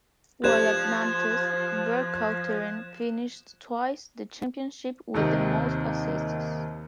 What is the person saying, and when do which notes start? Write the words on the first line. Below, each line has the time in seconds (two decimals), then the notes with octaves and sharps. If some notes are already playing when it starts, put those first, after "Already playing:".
While at Nantes, Vercauteren finished twice the championship with the most assists.
0.44 F3 G4 C5 F#6 G#6 E7
5.14 D#2 C3 D#3